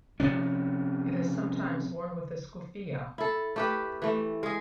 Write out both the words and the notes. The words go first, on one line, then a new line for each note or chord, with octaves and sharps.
It is sometimes worn with a skufia.
C3 F3 C#4
E4 A4
A3 G4 B4
E3 A3
G#3 G#4